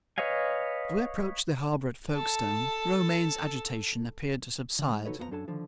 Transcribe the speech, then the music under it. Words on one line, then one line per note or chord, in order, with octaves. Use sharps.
As we approached the harbor at Folkestone, Romayne's agitation appeared to subside.
B4 C#5 D#5 F5 G#5
A4 A5
D3
G#3
D#4 F#4 A4 B4 C#5 D#5
F2 F3 B3 G#4 A#5
F#2 D4 A4 G#5 A5
D3 D#3 F3